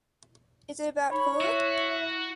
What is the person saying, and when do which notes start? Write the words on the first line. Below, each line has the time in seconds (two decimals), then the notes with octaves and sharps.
Is it about her?
1.11 D#4 C#5 B5
1.41 E4 F#4 E5